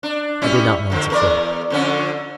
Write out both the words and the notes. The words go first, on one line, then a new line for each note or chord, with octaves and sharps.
I did not want to kill.
D4
G3 C#4 E4
A2 D3 F3
E2 A#4 D5
F2 D3 C#4